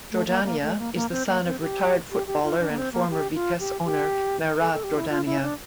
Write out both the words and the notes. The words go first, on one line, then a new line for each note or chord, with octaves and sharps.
Jordania is the son of retired footballer and former Vitesse owner Merab Jordania.
A3
A#3
A#3
A3
A#3
A#3
C4
A#3
C4
G4
G4
G4
F4
D4
A#3
C4
A#3
G4
F4
G4
G4
A4
A4
G4
E4
F4
E4
D4